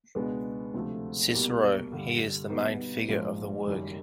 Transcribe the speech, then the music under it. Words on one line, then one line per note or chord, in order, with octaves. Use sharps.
Cicero - He is the main figure of the work.
C#2 B2 G#3 B3 D4
D2 C3 F3 A3
C2 B2 G3 A#3
G2 D3 G3
B2 G3 B3 D#4
A#1 G#2 F3 G#3
F#1 F#2 D#3 G3